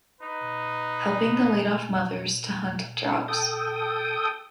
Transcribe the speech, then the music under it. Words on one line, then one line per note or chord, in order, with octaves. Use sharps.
Helping the laid-off mothers to hunt jobs.
D#4 B4
A4 G5 D#6